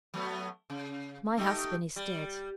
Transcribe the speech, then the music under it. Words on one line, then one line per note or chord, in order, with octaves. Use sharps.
'My husband is dead.
F#3 A3 B3
C#3
A3 D#4 G4
G3